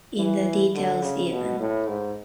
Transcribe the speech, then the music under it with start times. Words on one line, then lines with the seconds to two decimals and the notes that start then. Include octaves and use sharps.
In the details even.
0.17 E3
0.74 D3
1.02 C#3
1.31 B2
1.59 A2
1.87 G#2